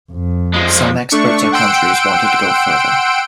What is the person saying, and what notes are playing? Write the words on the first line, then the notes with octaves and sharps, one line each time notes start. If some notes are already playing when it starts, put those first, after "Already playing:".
Some experts and countries wanted to go further.
F2
F3 G#3
A3 D4 C#6
F#5 G5 C6 E6 D7